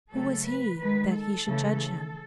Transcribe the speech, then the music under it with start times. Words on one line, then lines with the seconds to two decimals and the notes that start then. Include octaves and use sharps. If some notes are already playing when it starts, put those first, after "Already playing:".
Who was he that he should judge him?
0.12 C#3 F#3 A3 A4
0.46 B4
0.79 D#3 G#3 B4
1.13 A4
1.47 C#3 E3 A3